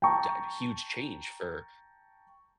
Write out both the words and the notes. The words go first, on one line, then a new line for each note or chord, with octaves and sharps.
d huge change for
G5 A5 A#5 C#6